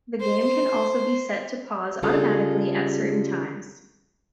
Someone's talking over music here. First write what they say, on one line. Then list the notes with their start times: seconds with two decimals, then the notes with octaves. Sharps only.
The game can also be set to pause automatically at certain times.
0.21 C5
2.03 C#3 G3 F4 G#4 A4